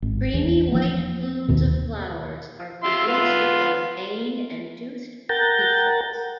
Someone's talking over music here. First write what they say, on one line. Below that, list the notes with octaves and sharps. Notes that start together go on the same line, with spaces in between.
Creamy white plumes of flowers are produced above veined and toothed leaflets.
G#1
E2
F3 A#3
D#2 B2 D#3
F4 E5 C6
B3 F4
A#4 F#5 G5 A#5 G6 A6